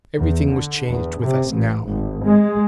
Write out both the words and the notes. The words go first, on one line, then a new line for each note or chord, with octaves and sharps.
Everything was changed with us now.
E2
D3
E2
C3
A1
G#1
G#3